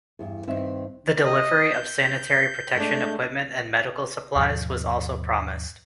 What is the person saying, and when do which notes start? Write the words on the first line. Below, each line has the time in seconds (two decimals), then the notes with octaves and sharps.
The delivery of sanitary protection equipment and medical supplies was also promised.
0.19 E2 G2
0.47 G2 D#3 C4 E5
1.25 D#5
1.73 G6
2.75 G#3 A3 D4
4.36 D#2 G#2 B2 F3